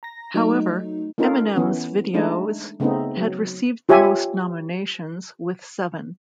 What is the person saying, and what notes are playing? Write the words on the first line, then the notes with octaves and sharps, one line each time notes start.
However, Eminem's videos have received the most nominations with seven.
A#5 A#6
F#3 A3 D#4
A#3 C#4 D#4 F4 A4 A#4
E3 B3 C#4
G#3 A3 D4 D#4
C#3 A3 B3 C4 D#4
F#3
F4 G4 C#5 E5 G#5